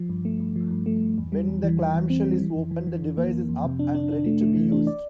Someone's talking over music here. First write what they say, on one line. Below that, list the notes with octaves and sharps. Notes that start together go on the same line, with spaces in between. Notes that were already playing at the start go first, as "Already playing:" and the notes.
When the clamshell is open, the device is up and ready to be used.
Already playing: F3
G2
A3
G2
F3
G2
A3
G2
E2
G3
E2
E3
E3
E2
C4
G3
E3
F2
E3
E3
F2
A#3
F2
F2
C3
D4
D4
D4
A3
A3
E3
D4
D5